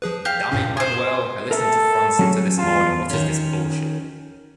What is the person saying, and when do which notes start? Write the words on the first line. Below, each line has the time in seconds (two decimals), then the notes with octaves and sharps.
Damnit, Manuel, I listened to France Inter this morning, what is this bullshit?
0.02 F3 G#4 B4
0.25 G4 F5
0.52 G2 A#2 C#4
0.77 G#4 C5
1.51 A4 A#4 E5
2.19 F#3 C#4 G#4
2.59 E2 F4 A5
3.10 D#3 C#4